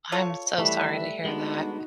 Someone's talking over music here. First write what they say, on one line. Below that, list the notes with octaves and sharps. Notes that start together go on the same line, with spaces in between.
I'm so sorry to hear that.
F4 A4 C#5
E3 G3 A3 B4 E5
G#3 B3 D4 D#4 F#4